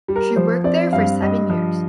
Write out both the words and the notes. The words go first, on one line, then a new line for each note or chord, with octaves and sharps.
She worked there for seven years.
G3
A#4
F3 C5
C4 D5
G2 F5
G2 D#5
F3